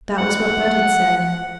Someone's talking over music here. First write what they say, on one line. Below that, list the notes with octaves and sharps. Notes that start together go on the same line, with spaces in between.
That was what Budd said.
F#5